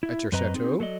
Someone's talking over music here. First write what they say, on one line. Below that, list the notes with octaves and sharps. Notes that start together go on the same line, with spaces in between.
"At your chateau."
E4 E5
F#2 C4 B4 D#5 A#5
C4 D#4 G#4
F#3 A4 D5 D#5